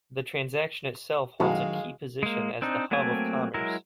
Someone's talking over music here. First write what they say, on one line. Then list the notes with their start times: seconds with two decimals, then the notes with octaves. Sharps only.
The transaction itself holds a key position as the hub of commerce.
1.40 F#2 A2 D#3 F#3 G#3 F#4 F5
2.23 G#3 A#3
2.62 C4 D4 D#4
2.91 F#3 A3 A#3 C4 G#5
3.54 F#3 G#3 E4 A#4